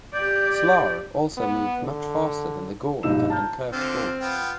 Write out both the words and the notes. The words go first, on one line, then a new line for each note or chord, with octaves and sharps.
Slar also moved much faster than the Gorn Captain Kirk fought.
G4 D5 G6
B3
D3
A#1 G2 B2 D#4 E6 E7
A5 A#5 F6 G6
D3 C4 F4
B3 F4 G5